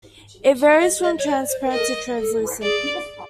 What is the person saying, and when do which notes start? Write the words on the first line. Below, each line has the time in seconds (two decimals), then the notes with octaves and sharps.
It varies from transparent to translucent.
0.81 D#5
1.03 D#5
1.19 C#5
1.27 D5
1.49 C5
1.65 B4
1.72 A#4 D#5
2.17 A4
2.62 G#4 D5